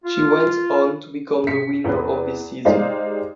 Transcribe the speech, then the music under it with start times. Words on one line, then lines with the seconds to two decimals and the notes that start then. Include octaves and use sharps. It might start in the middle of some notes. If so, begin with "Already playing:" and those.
She went on to become the winner of this season.
0.04 F4
1.47 C3 B6 C#7
1.84 E2 B4
2.65 G#3 D#4 G4 C5 D5 F5